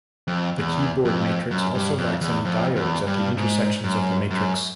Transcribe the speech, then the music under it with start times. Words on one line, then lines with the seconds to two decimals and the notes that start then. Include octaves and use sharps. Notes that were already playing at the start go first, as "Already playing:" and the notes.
The keyboard matrix also lacks any diodes at the intersections of the matrix.
0.28 F2
0.58 E2
1.05 F2
1.51 F#2
1.75 G2
1.98 F2
2.21 E2
2.45 F2
2.76 E2
3.07 G2
3.37 G#2
3.84 F#2
4.30 F#2